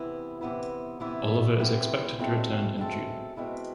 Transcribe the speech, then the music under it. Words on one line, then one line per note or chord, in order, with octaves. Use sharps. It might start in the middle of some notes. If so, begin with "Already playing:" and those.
Olivier is expected to return in June.
Already playing: C3 E3 B3 E4
C3 E3 B3 E4
C3 E3 B3 E4
C3 E3 B3 E4
B2 G#3 C4 E4 A4
B2 G#3 C4 E4 A4
B2 G#3 C4 E4 A4